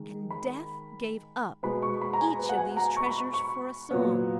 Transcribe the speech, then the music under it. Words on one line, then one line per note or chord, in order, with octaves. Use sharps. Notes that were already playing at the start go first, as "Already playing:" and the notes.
And Death gave up each of these treasures for a song.
Already playing: D#3 G#3
B5
B2 G#3 B3 B5
C#6
B5
A#5
G#5
B4
F#5
G#5
A#5
C#6
B5
C#6
A#2 F#3 B3